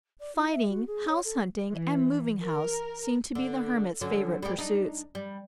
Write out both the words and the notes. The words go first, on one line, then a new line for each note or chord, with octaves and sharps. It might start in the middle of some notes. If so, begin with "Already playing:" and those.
Fighting, house-hunting, and moving house seem to be the Hermit's favourite pursuits.
D5
E4
E5
F#4
G#4
C#5
A4
E3
A#4
D3
D3 F#3 C#4
G3 G#3 G4
D4 D#4
G3